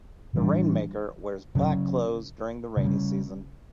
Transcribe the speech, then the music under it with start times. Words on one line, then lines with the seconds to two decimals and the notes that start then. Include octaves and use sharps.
The rain-maker wears black clothes during the rainy season.
0.33 A2 E3 G3 D4
1.55 C#3 F#3 C#4
2.77 C#3 G3 C#4